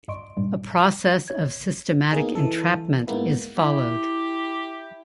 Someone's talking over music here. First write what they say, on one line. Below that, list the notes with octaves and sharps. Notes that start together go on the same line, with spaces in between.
A process of "systematic entrapment" is followed.
G2 D5 D#5 C6 C#6 D7
G2 A#2 G3
C#5 G#6
A#3 B3 D#4 G#4
E3 A4
G#2 G#3 A#3 B3 E4
E4 G4